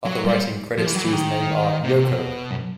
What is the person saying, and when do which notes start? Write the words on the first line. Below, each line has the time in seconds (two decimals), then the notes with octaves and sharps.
Other writing credits to his name are: Yoko!
0.06 F#3
0.24 G3
0.78 F3
0.86 E3
0.95 F#3
1.04 E3
1.13 D#3
1.84 C3
1.95 C3
2.08 B2
2.51 F#2